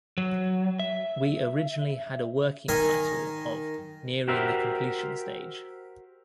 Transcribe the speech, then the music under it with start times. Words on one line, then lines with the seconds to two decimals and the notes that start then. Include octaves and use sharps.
We originally had a working title of 'Nearing The Completion Stage'.
0.18 F#3
0.79 E5
2.69 D#3 D#5 G#5 D#6
4.28 F#4 G4 A#4 C5 E5